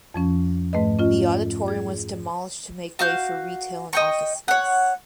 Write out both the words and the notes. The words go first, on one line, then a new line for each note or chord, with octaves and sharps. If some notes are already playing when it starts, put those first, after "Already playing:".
The auditorium was demolished to make way for retail and office space.
F2 F3 C#4
G#2 A3 B4 D#5
C#4 F4 D#5
G#4
F#4 F5 G6
D#5 G5 C#6
C#5 F#5